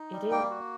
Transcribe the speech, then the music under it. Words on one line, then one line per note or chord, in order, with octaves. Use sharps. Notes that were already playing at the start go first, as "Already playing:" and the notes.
It is.
Already playing: D#4
G3
A#3 G5
F#4